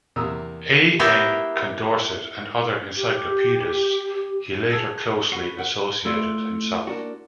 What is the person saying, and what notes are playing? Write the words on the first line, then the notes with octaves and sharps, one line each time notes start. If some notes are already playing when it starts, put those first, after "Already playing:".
A. N. Condorcet and other Encyclopedists, he later closely associated himself.
E2 C3 A#3 A#5 D#6 E6
B3 E4 G4 A#4 F5 G5
G4
G#4 A4
F#4 B4
F#5
A3 E4 F4 D5
A#3 D4 F#4